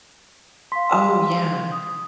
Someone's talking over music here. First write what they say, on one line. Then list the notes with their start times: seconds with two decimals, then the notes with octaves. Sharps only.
Oh, yeah.
0.72 F5 C6 B6
1.72 D#6